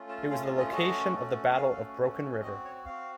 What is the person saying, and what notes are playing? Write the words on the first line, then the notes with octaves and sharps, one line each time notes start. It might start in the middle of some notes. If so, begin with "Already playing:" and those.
It was the location of the Battle of Broken River.
Already playing: A3 C#4 F4
A5
A3 C#4 F4 F5
D#5
D#5
A3 C#4 F#4 D#5
A3 C#4 F#4
A3 C#4 F#4 F5
A3 C#4 F#4
C4 F#4 D#5
C#5
C4 F#4 F5